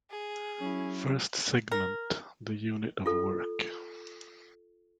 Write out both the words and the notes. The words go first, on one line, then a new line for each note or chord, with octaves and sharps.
First segment the unit of work.
G#4
F#3 C#4 E4
A#4
F4 A4